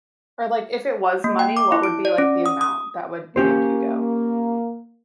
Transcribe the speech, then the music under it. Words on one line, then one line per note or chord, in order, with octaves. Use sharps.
Or, like, if it was money, what would be, like, the amount that would make you go?
A#3
G5
D6
E4
D7
D5
C#4
D#6
D#6
A#3 C#4 G4 C5